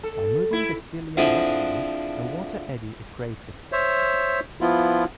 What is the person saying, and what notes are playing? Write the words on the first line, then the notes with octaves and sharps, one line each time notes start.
By moving their cilia rapidly, a water eddy is created.
A4
E4
D3 F3 C4 E4 G#4
C5 C#5 E5
F3 B3 E4 F4